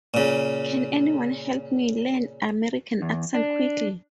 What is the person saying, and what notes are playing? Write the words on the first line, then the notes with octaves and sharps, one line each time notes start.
Can anyone help me learn american accent quickly.
A#2 C#3
E2
D4